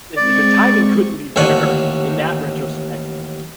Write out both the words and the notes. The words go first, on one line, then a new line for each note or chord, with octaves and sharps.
the the the timing couldn't be better in that retrospect
G#3 C4 D5 C#6
A1 D#2 D3 F#5 C#6